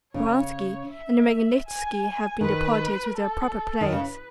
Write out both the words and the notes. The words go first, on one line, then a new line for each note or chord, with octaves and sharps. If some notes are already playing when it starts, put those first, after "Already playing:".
Speranski and Magnitski have been deported to their proper place.
C#3 C#5
E5
G#5
D#3 B4
A4
D#3
C#3 B4